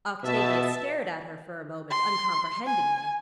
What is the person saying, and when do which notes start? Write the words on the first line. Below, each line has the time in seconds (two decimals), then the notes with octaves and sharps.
Octavia stared at her for a moment uncomprehendingly.
0.24 B2 E5 A5
1.91 C6
2.67 G#5